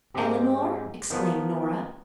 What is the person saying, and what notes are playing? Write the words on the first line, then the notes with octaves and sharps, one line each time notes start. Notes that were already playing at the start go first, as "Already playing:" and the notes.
"Eleanor?" exclaimed Nora.
G#2 C4 G4
D#3 F3 B3